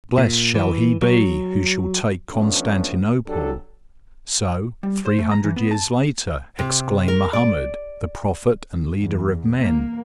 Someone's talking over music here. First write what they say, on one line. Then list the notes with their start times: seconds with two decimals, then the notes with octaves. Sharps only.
"Blessed shall he be who shall take Constantinople!" So, three hundred years later, exclaimed Mohammed, the prophet and leader of men.
0.18 A#2
0.55 E3
1.02 F#3
2.32 E3 F3 A3 B3 C#4 D4
3.27 F#3 D4 G4 A4
4.83 G3
5.06 C5
5.19 A3
5.31 A#5
5.44 E3
5.56 B3
5.71 A5
6.59 C3
7.08 A#4
7.33 D5
9.02 E2
9.60 A#3